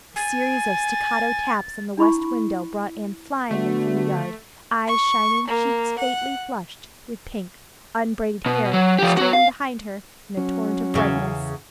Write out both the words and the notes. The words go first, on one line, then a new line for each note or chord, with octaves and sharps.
A series of staccato taps on the west window brought Anne flying in from the yard, eyes shining, cheeks faintly flushed with pink, unbraided hair streaming behind her in a torrent of brightness.
G#5 A6
D4 E4 B5 C#6
D3 A3 B3 D4 F#4
C#6
A#3
F#5
B2
F#3
F3 G4
F#4 C#5
F5
F#3 C#4
E2 C#3